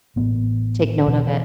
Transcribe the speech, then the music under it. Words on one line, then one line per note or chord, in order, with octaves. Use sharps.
take note of it.
A1 A2 B3
E1 E2 B2